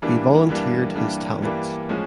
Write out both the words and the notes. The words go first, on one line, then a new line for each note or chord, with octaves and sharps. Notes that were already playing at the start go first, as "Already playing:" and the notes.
He volunteered his talents.
G2 E3 G3 A#3 D4
G2 E3 G3 A#3 D4
G2 E3 G3 A#3 D4
G2 E3 G3 A#3 D4
A2 F3 G#3 C#4